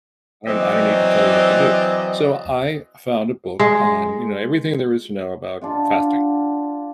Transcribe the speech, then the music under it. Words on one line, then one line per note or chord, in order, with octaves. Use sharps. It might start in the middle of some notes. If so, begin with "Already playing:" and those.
and I don't need to tell you what to do," so I found a book on, you know, everything there is to know about fasting
E3 F#3 C4 D5 D#5
G#3
D4 F4 F#5